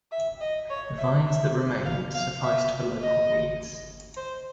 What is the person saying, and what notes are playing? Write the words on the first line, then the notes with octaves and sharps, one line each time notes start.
The vines that remained sufficed for local needs.
E5
D#5
C#5
E5
E5
F5
F5
E5
D#5
C5